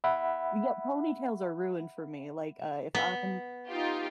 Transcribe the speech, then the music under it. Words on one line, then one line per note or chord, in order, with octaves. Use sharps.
Yeah, ponytails are ruined for me, like, uh, if I'm
E5 F#5 B5
B3
D#4 F4 G4